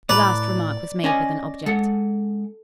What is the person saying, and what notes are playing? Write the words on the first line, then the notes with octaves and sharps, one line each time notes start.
The last remark was made with an object.
A2 B4 D5 A#5
C#4 D#5 G#5
G#3 A4 F#5